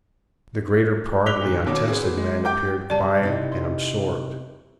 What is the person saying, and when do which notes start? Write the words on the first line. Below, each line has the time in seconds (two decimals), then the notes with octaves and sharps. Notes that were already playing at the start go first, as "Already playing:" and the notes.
The greater part of the untested men appeared quiet and absorbed.
1.26 D6 F#6 B6 F7 G7
1.41 A#2 D#3
1.66 D#2 B2 C#5 D6
1.88 B3 C4 G#4
2.17 G#3
2.45 G4 G5 D6 G6
2.90 C#3 G3 D5 A5
3.23 C3 D#4 E4
3.52 C6